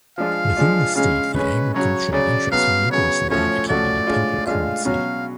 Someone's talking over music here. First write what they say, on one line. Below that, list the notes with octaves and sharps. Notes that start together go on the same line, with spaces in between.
Within the state the agricultural interests vigorously advocated a paper currency.
F3 G#3 D4 F4 F5
F3 G#3 D4 F4
C#3 G#3 C#4 F5
C#3 G#3 C#4 B4
C#3 F#3 C#4 C#5
C#3 F#3 C#4 D5
C#3 F#3 B3 F5
C#3 F#3 B3 C#5
A2 F3 A3 C#4 F#4 C#5
A2 F3 A3 C#4 F#4 D5
A2 G#3 D4 F4
A2 G#3 D4 F4 F5
B2 F#3 C#4 F5